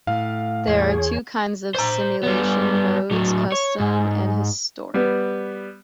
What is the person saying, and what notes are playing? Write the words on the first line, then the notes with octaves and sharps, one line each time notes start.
There are two kinds of Simulation modes, Custom and Historic.
A2 F5
E2 F3 A#3 G#4 C#5 G#5
C5 A#5
G3 B3
A2 F#3
C#5
G#2
G3 B3